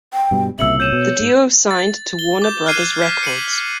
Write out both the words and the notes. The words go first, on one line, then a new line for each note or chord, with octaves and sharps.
The duo signed to Warner Brothers Records.
G5
G2 B2 G3
C2 A#2 C#3 E5 E6 C#7 F#7
C#5 G6 D#7 E7
B2
G#2
A6
G7
D6 G6
F6 F#6 G#6 C7 D#7
B6
C#7 D#7 F#7